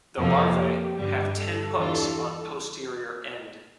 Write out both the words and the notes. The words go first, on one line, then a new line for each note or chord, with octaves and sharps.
The larvae have ten hooks on posterior end.
F2 C3 F3 A#3 A4
G4
G2 D3 G3
A4
E2 E3 G3 D4 F4